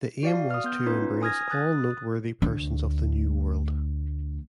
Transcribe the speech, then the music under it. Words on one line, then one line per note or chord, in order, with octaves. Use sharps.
The aim was to embrace all noteworthy persons of the New World.
F#4 D5 F5
D#6 F6
B3 G6
C#4 D#4 F4 B4
G#5 D#6 F6 G#6 A#6
D#6 F#6 A6
D2 A3